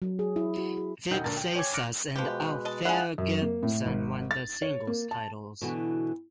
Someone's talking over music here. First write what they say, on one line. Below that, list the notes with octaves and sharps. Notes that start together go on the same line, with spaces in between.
Vic Seixas and Althea Gibson won the singles titles.
F#3
G#4
E4
F#4
G#4
E1 D#4 F#5 G5 G6
D2 A#2 A#4 A5 A#5 A6
G5
C#5 G5 G#5 D6 G#6
D6 F6 F#6 A#6 C#7 D7
B2 F3 G#3 G4 B4
D#5 A5
G#3 D4 E4 G#4 F#5
F#2
A#3
A2
G#1
A6
C#5
A#3
A5
B2 D3 E3 F#4